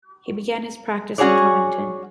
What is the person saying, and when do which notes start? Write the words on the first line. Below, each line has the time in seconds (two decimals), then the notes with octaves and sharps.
He began his practice in Covington.
1.18 C#4 F#4 G#4 C#5 D5